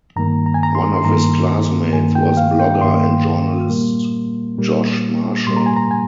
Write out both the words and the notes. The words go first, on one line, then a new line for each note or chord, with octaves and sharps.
One of his classmates was blogger and journalist Josh Marshall.
G2 D#3 A#3 A#5
A#5
G#5
A#5
C6
C6
G2 D#3 A#3 A#5
G2 D#3 A#3 G#5
G5
F5
G5
G2 D#3 A#3 C6
A#2 G3 A#3
A#2 G3 A#3
A#2 G3 A#3 C6
A#5
G#5
A#5
G#5